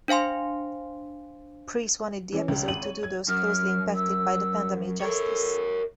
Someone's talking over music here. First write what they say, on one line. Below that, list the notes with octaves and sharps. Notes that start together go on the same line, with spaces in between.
Preece wanted the episode to do those closely impacted by the pandemic justice.
D4 C5 F5 G#5 C6
E3 C#4
C#2
G#1 D#7 F#7
C#5
G#6
F#2 F6
E6
A4 A#4 C#5